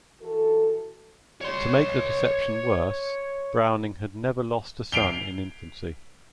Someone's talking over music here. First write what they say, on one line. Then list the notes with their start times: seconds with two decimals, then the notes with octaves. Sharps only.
To make the deception worse, Browning had never lost a son in infancy.
0.20 E3 F#4 A4
1.41 C#5 C6
4.92 C7 D7 F7 G7